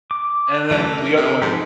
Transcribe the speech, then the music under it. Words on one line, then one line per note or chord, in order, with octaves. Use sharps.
and then the other one
D6
E3 F#3 A3
A#4
C3
G#2 F3 F#4 G4